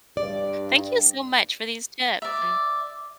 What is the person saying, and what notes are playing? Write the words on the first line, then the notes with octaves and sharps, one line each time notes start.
Thank you so much for these tips and
G2 D5
D5 E5